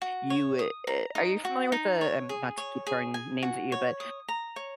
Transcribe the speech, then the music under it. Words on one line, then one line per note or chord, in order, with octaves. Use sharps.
you, eh eh, are you familiar with the, um, not to keep throwing names at you, but
F#4
C#5
D#6
A#5
D#4
F#4
D#4
C#5
G#4
C#5
G#4
G#5
F#4
C#5
D#6
A#5
C#5